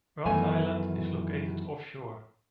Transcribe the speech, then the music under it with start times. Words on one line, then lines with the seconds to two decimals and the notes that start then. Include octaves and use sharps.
Brant Island is located offshore.
0.26 F#2 D#3 E3 A3 B3 G#5